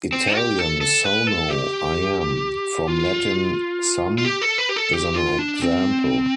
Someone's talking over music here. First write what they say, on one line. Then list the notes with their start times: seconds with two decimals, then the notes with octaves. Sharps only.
Italian "sono" 'I am', from Latin "sum", is an example.
0.13 C4
0.35 G4
0.59 A4
0.81 A4
1.04 B4
1.27 A4
1.50 G4
2.87 F4
4.18 F4
4.25 G4
4.42 A4
4.58 B4
4.69 G4
4.76 A4
4.93 G4
5.16 F4
5.39 D4
5.62 C4